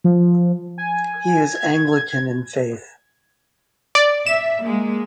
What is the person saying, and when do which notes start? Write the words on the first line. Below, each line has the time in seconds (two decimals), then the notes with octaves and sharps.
He is Anglican in faith.
0.04 F3
0.78 G#5
1.55 G#6
3.95 D5
4.26 E5 E7
4.64 G#3 A#3